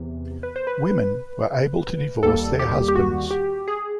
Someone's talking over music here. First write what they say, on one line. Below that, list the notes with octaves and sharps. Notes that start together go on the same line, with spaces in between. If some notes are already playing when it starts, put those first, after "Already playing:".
Women were able to divorce their husbands.
Already playing: E2 C3 E3
B4
C5
B4
D#2 D#3 G3 A#3 A4
G4
G4
F#4
G4
G#4